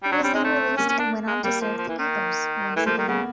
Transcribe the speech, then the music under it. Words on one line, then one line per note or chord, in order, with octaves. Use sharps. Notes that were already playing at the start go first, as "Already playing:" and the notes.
He was then released and went on to serve the 'Eagles' once again.
G3
F#3 D4
C4
G3 C#4
G#3 C4
A3
A#3 C#4
C#4
D4
G#3
G3 A#3
F3
F3
E3
D#3
E3 A3
F3 A#3
D#3
C#3 B3